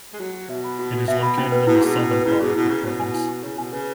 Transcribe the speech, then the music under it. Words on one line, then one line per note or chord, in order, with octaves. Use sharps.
It is located in the southern part of the province.
G#3
F#3 F#4
F#4
B2 E5
B5
F#4
F#4
B2 E5
B5
C#4
B4
B2 E4
G#2
B2 G#4
C#4
B4
C#3 E4
B2 G#4
B2 E4
C#3 C#6
B2 C#5
G#5
E4
C#6
C#3 C#5
B2 G#5
C#3 B4